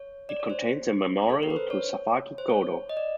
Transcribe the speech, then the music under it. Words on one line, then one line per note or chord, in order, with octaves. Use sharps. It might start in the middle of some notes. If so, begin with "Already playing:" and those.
It contains a memorial to Sawaki Kodo.
Already playing: C#5
D5
C#5
C5
A4
A#4
B4
C5
C#5
C5
C#5
D#5
D5